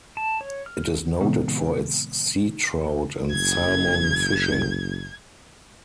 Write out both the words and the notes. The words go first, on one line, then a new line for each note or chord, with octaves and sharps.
It is noted for its sea trout and salmon fishing.
A5
C#5
F6
A#2 C#3 E3 G#3 B3 C4
F#1 G#6